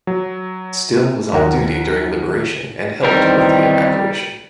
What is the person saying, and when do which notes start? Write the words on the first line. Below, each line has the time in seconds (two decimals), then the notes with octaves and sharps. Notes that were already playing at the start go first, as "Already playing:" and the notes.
Still was on duty during liberation and helped with the evacuation.
0.07 F#3
1.33 D#2 A#4 F#5
3.04 E2 D#3 G3 C4 A#4